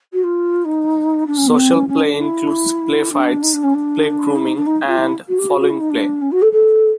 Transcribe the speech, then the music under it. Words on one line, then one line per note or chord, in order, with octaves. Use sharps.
Social play includes play fights, play grooming, and following-play.
F#4
F4
D#4
D4
C#4
B3
C4
C#4
C#4
D4
E4
D4
D#4
D4
C#4
D4
E4
D#4
D4
D#4
F4
E4
F#4
G4
F#4
F#4
E4
D#4
D4
C#4
F#4
A4
A4